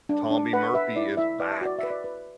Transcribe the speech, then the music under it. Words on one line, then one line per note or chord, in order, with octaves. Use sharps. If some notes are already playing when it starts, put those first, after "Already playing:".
Tommy Murphy is back.
D4
D4
B4 F#5
B4 E5
E4 D5
E4 E5
B4 D5
E5
F#4 D5
B4 E5
D5
B4